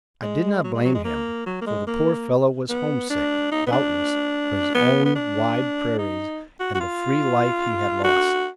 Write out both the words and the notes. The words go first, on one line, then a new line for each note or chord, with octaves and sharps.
I did not blame him, for the poor fellow was homesick, doubtless, for his own wide prairies and the free life he had lost.
G#3
F#3
G#3
F#3
G#3
A#3
F#3
A#3
G#3
A#3
B3
D4
D#4
B3
D4
B3
B3
D4
D#4
F#4
F#4
F4
F#4